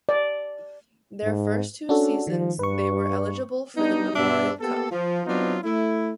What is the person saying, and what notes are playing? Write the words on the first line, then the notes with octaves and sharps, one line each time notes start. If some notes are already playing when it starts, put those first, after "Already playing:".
Their first two seasons they were eligible for the Memorial Cup.
D5
G#2
C#4 D4 F#4 A4
D#3 F3
G2 B4 C#6
G3 B3 D4 D#4
G2 B2 B3 D4 E5
A#3 B3 G4 A4
F3
F#3 B3 C4 D4 D#4 F4
A3 E4